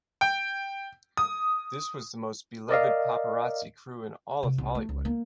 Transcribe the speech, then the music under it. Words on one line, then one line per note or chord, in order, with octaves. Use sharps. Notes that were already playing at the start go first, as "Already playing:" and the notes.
This was the most beloved paparazzi crew in all of Hollywood.
G5
D#6
A#4 D5 D#5 F5
C3
C2
A3
C#2
A#3